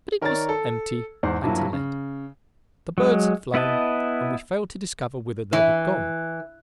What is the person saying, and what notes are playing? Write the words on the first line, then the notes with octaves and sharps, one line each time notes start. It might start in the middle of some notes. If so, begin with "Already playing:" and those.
But it was empty and to let. The birds had flown, and we failed to discover whither they had gone.
D#3 A#4 C#5 D5 A#5 A6
A4
E2 G#2 C5
G2 F3 F#3 A#3 E4
C#3
F#3 G#3
B3 E4 B4 D#5 A5
E3